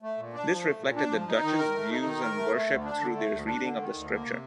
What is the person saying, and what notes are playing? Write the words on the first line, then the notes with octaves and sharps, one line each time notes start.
This reflected the Dutch's views on worship through their reading of the Scripture.
A3
A#2
D4
F3
A3
A#2
D4
F3
D#4
D#3
A#4
A3
D#4
D#3
A#4
A3
A3
D2
D4
D3
A3
D2
D4
D3
D#3
D2
A#3
C3